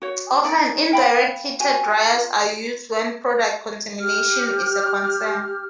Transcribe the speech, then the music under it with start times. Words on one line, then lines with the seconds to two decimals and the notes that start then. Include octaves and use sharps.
Often, indirect heated dryers are used when product contamination is a concern.
0.02 F#4 C#5
0.43 D#4 D5
0.91 F5 G5 B5
1.60 F#4 G4 G#5
2.12 F4
4.00 G4 F6